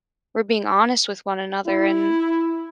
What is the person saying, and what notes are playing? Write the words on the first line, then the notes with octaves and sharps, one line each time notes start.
we're being honest with one another, and"
E4